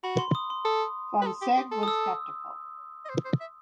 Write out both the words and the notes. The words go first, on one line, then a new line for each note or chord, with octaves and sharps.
Fonsègue was skeptical.
F#4 B5
C6
D#6
C6
A4 D#6
B4
A4
G4
G4
A4
D#6
E6
D#5
C5
C5
E5